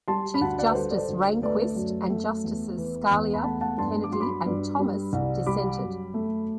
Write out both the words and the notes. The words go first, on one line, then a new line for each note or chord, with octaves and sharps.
Chief Justice Rehnquist and Justices Scalia, Kennedy, and Thomas dissented.
G3 A5 C6
B5
D2 F#5 A5
D5 F#5
B4
G3 A4 C5
D5
A4 C5
D2
A3 B4 D5
F#2
A3
E2
E3
E2
B5
A3 F#5 A5
F#5 A5
G2 A5 C6
D6
F#3 C6
B5 D6
G2
G3
C2
G3 B5 D6
F#2
A3